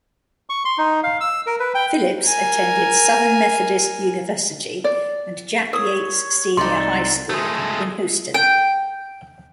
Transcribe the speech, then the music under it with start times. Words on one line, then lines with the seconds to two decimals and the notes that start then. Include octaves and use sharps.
Phillips attended Southern Methodist University and Jack Yates Senior High School in Houston.
0.50 C#6
0.65 C6
0.78 D#4
1.03 F5
1.21 E6
1.46 A#4
1.60 B4
1.75 G5
2.22 A#4 G#5
4.84 D5
5.73 A#4 C#5 D#6
6.57 C2 D#4 A4 D5 C6
7.30 G#3 A3
8.34 G5